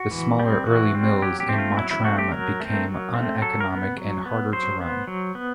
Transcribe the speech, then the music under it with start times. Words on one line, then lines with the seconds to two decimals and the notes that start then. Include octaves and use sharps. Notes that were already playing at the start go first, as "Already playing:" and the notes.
The smaller early mills in Mottram became uneconomic and harder to run.
Already playing: F#4
0.11 E3
0.40 G3 C4
0.66 E3 F#4
0.95 G3 C4
1.22 F#3 G4
1.40 G4
1.49 A3 C4
1.59 F4
1.77 F#3 E4
1.91 E4
2.04 A3 C4 F#4
2.19 G4
2.32 F#3 A#4
2.60 A3 C4
2.88 F#3
3.14 A3 C4
3.42 F#3 A4
3.60 A#4
3.70 B3
3.98 F#3
4.26 B3
4.53 F#3 C5
4.80 B3
5.08 F#3
5.35 B3